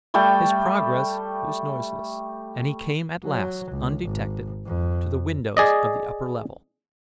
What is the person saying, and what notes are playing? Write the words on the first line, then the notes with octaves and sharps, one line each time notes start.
His progress was noiseless and he came at last, undetected, to the windows of the upper level.
G3 A3 G5 A5
F#3
C#2
G#1
F2
G#4 D5 D#5